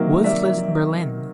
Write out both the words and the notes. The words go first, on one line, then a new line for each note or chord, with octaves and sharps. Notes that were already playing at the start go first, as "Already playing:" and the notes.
Woods lives in Berlin.
Already playing: C3 D#3 F#3 A#3
D5 E5